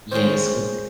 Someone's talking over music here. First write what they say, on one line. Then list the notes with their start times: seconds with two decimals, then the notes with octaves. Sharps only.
Yes, wi t
0.11 D#3 G#3 C5 C#5